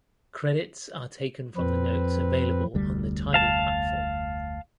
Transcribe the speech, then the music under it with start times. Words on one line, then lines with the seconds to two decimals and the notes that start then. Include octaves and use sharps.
Credits are taken from the notes available on the Tidal platform.
1.57 F2 C4 B4
2.74 F1 D2 G3
3.34 F5 A5